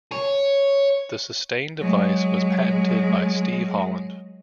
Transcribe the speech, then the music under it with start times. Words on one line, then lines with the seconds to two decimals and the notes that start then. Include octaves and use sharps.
The sustain device was patented by Steve Holland.
0.12 C#5
1.78 F#3 G#3